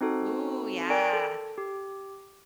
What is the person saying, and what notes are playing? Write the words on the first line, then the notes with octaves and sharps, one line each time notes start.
Ooh, yeah.
C4 D#4 F#4 A4
A#4 D5 G5 G#5 D7
A4
G4